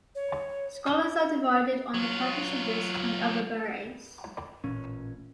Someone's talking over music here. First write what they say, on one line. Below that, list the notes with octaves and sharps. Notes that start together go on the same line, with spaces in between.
Scholars are divided on the purpose of this and other barays.
C#5
F#3 F4
A1 A#2 C#4